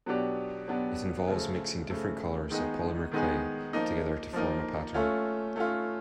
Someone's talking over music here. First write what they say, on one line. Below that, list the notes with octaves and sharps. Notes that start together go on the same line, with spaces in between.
It involves mixing different colors of polymer clay together to form a pattern.
B2 F#3 B3 D4 G4
B2 F#3 B3 D4 G4
C#3 F3 A3
C#3 F3 A3
D#3 G#3 B3 D#4 G#4
D#3 G#3 B3 D#4 G#4
F3 A#3 D#4
F3 A#3 D#4
A3 C#4 F4
A3 C#4 F4